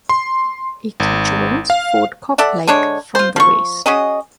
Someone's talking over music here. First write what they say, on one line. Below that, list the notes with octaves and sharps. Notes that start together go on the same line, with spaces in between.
It joins Fort Cobb Lake from the west.
C6
G#1
F5
A4 D5 E5 F#5
D3 G#3 D4 C#5
F4 C5
F3 C#6
C#4 F#4 G#4 D#5